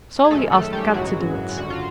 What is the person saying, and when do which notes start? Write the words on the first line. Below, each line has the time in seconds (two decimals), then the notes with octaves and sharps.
So he asked Kat to do it.
0.25 G#4
0.31 F#2 D#3 G#3 A3 C#4 A4
0.52 A3 A4
0.73 G3 G4
0.94 G#1 F#2 C#3 E3 F#3 G#3 F#4
1.57 G#1 F#2 D3 F#4
1.70 F4